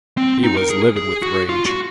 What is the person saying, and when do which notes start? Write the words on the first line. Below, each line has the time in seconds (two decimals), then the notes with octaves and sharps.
He was livid with rage.
0.17 C4
0.44 D#4
0.57 A#4
0.70 G#4
0.96 G#4
1.22 F#4
1.49 F4
1.66 F#4